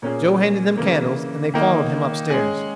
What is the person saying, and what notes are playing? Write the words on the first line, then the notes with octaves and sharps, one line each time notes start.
Joe handed them candles and they followed him upstairs.
A#2 A#3 C#4 G#4
C#3 E3 A#3
D#3 A#3 D#4
G#3 C#4 G#4